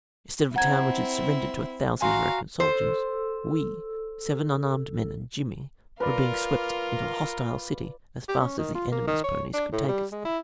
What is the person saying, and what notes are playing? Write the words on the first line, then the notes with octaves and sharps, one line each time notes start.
Instead of a town which had surrendered to a thousand American soldiers, we, seven unarmed men and Jimmy, were being swept into a hostile city as fast as the enemy's ponies could take us there.
C4 E4 F#5 A#5 G#6
F#4 F5 G#5 A#5 C6
A4 C5 E6
F4 A#4 B4 D5
G4
C#4
D#3
F4
A#3
D#3
C#5
D4
A2
G3
G#3
E4